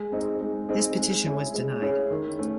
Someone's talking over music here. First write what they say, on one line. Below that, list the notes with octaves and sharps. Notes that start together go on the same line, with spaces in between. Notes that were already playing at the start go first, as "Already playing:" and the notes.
His petition was denied.
Already playing: G#3
C4 D#4 G#4
G#3
C4 D#4 G#4
G#3
C#4 E4 G#4 C#5
G#3
C#4 E4 G#4 C#5
D#3
A3 C#4